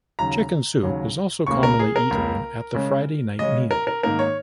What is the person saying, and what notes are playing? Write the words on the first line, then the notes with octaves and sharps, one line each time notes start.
Chicken soup is also commonly eaten at the Friday night meal.
D#2 C#3 F#3 A#5
D#2 C#3 F#3
C#2 C#3 A#3 C#6
A#4
G#4
A#4
C#2 C#3 A#3
C#3 G#3 C#4
C#3 G#3 C#4 D#5
A#4
A#4
G#2 D#3 A#3 D#4 A#4
C#5